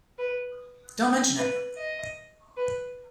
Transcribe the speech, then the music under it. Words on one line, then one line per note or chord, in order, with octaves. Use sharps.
Don't mention it.
B4
B4
D#5
B4